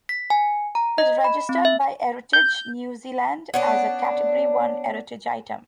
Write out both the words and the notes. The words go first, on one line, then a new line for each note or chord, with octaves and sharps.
It is registered by Heritage New Zealand as a Category One heritage item.
B6
G#5
A#5
D#5
B5
C4
E5
G6
B3 C#4 D4